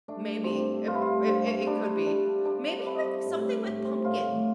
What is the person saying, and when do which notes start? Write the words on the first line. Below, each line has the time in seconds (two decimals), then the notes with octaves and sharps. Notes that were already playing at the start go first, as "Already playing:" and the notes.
Maybe. Ip it it it could be. Maybe, like, something with pumpkin.
0.08 A3 D4
0.28 G2
0.44 G2 C4 D4
0.67 A3
0.87 G2 F4
0.95 E4
1.02 A3 F4
1.27 G2 C4
1.47 A3
1.66 G3 D4
1.86 G3
2.05 G3 D4
2.26 G3
2.45 G3 D4
2.66 C4
2.86 C4 E4
3.05 G3
3.26 A2
3.46 G3
3.65 A2
3.85 C4
4.04 A2 F4
4.24 A2